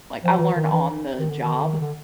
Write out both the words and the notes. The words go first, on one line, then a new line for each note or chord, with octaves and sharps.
like I'll learn on the job
F3
E3
D#3
E3
D#3
D3
D#3
D3
D#3
D3